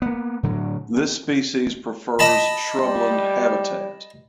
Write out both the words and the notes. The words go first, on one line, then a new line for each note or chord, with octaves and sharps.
This species prefers shrubland habitat.
A#3 B3
A2 D3 F#3
D#5 A5 B5
G3